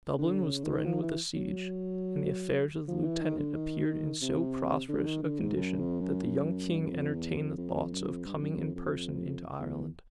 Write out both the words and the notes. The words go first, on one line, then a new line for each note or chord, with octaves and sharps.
Dublin was threatened with a siege; and the affairs of the lieutenant appeared in so prosperous a condition, that the young king entertained thoughts of coming in person into Ireland.
D3
C#3
D#3
F3
E3
F#3
F3
E3
D#3
D3
D#3
C3
D3
D#3
D3
G#2
F#2
F2
F#2
G2
F#2
F2
E2
F2
F2
F2
F#2
F2
G2
F2
F#2
F#2
F2
F2
E2